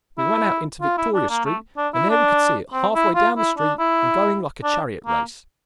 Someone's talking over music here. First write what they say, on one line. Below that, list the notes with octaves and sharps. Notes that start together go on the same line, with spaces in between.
We ran out into Victoria Street, and there we could see it half-way down the street and going like a chariot race.
E4
F4
E4
D4
A#3
A3
D4
E4
D4
C4
E4
F4
E4
D4
E4
D4
A#3